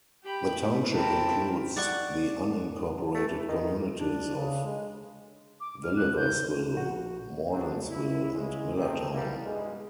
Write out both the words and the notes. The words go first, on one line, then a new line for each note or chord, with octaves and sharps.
The township includes the unincorporated communities of Welliversville, Mordansville, and Millertown.
G4 G5 B5
A3 E4
C4 E4 A#4 G5 A5
D5 F#5 C#6
A3
E3
D#3
D4
C#3
G#3
D6
F6
F#6
G6
A#1 F#4
F#3 C4 D4
E4
C#2 C#3 G#3
C3 D#3 A3 A#3 C4
E2 G3 A#3 B3 E4
G2 B2 G#3